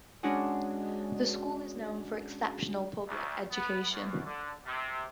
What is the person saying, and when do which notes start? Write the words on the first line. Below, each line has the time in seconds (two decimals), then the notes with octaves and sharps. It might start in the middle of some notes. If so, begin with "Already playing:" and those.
The school is known for exceptional public education.
0.23 G#3 C#4 D4 F#4 G#4
3.07 D2
3.51 B3
3.91 F#2
4.25 D3
4.65 C3